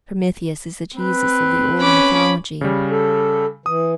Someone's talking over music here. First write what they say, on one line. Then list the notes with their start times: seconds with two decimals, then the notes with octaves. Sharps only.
Prometheus is the Jesus of the old mythology.
0.98 C4 B4
1.79 C#4 B5 D6
2.61 C#3 G3
2.90 A4
3.66 E3 D#6